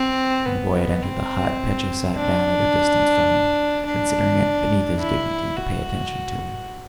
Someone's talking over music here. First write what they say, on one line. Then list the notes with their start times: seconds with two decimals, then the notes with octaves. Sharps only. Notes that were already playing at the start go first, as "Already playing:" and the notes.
When the boy had entered the hut, Petya sat down at a distance from him, considering it beneath his dignity to pay attention to him.
Already playing: C4
0.45 B3
1.02 C4
2.15 D4
3.85 D4
4.99 E4
5.56 F#4